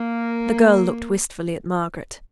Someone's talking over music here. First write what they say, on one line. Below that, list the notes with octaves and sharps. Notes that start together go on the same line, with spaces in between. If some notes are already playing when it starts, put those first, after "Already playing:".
The girl looked wistfully at Margaret.
Already playing: A#3